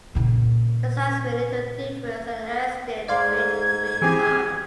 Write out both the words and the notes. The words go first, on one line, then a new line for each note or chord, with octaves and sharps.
The signs made little difference and the accident rate remained high.
A#2 C#3
G#2 D5 F5 C6 G#6
E3 C4 G4 G#4 G#5